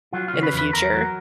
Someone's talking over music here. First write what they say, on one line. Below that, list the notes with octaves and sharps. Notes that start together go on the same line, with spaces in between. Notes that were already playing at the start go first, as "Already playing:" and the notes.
in the future,
F#3 F4
F4
C#3
B4
E2
B4
E2 A#4
F#3